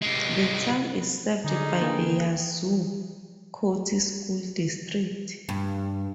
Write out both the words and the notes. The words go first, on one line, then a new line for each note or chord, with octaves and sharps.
The town is served by the Yazoo County School District.
C3 G#3
D3 G3 D#4 G#4
A#3 G#4 B4 G5
G2